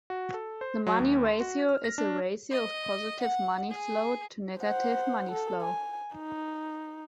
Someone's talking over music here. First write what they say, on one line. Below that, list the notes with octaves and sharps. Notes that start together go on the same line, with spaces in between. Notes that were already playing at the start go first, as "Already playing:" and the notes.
The money ratio is the ratio of positive money flow to negative money flow.
F#4
A4
C5
F#3
D#2
C6
F#4
F6
A#6
D4
D#5
F#5
G#4
C5 F#5
A4
G#5
D#4